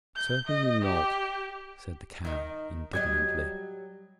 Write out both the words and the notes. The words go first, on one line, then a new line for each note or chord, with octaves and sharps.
"Certainly not," said the Cow, indignantly.
G6
D#5
G4
D#3 D#4
F#3 G3 D#5 G#6